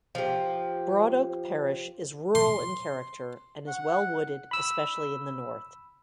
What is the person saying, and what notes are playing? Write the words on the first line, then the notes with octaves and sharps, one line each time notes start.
Broadoak parish is rural in character and is well wooded, especially in the north.
F3 G4
C6
F#5
B5 E6